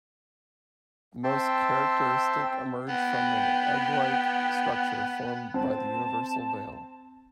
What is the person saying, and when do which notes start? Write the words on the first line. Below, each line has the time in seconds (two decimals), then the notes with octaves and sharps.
The most characteristic emerge from an egg-like structure formed by the universal veil.
1.24 C4 E5 G5 A5 C6
2.89 B3 G5
5.54 C4 A5